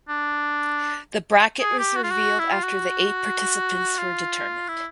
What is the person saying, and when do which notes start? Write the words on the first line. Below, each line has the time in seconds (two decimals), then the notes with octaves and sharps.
The bracket was revealed after the eight participants were determined.
0.09 D4
1.61 G#4
1.79 G4
1.96 F#4
2.04 F4
2.11 F#4
2.39 E4
2.51 F4
2.63 F#4
3.99 F4
4.68 E4